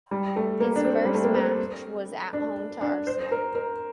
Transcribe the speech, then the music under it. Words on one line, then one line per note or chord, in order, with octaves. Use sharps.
His first match was at home to Arsenal.
G3
A3
A#3
D4
C4
G3
A3
A#3
C4
D4
D4
C5
A#4
A#4